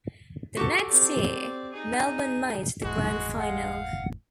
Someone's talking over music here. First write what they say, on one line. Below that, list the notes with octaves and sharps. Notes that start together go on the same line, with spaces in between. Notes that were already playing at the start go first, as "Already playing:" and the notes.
The next year, Melbourne made the Grand Final.
F#4 G4 A4
C4 D5
D#4 G#4
G1 E2 A2 G#3 F#4
F5 F#5